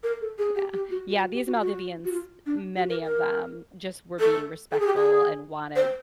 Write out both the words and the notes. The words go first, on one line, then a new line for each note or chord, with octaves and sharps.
yeah. Yeah, these Maldivians, many of them, just were being respectful and wanted
A#4
A4
G#4
G4
G4
F#4
F#4
F#4
G4
F#4
F#4
F#4
F4
D4
F#4
A#4
A#4
A4
A4
G#4
G4
G#4
C5